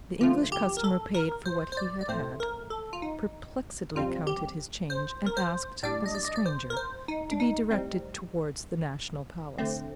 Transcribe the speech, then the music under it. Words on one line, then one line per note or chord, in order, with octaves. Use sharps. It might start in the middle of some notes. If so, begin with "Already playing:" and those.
The English customer paid for what he had had, perplexedly counted his change, and asked, as a stranger, to be directed towards the National Palace.
D3 F3 A3 F4
G4
A#4
A4
A#4
C5
C5
D5
D5
A2 A3 C4 C5
A#4
A4
F4
D#4
F2 C3 G3 C4 F4
G4
C5
A#4
C5
A2 G3 D4 D5
D#5
D5
D#5
D5
C5
A#4
C5
D#4
D4
D#4
A2 G3 C4
D3 A3 C4